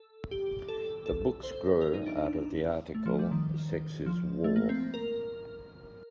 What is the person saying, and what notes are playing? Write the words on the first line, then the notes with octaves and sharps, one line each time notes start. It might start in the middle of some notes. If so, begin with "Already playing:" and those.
The books grew out of the article Sex Is War!
Already playing: A4
G4
A4
A4
C5
A#4
D#4
D4
A3
F3
G3
D#3
F3
A3
A#3
C4
A#4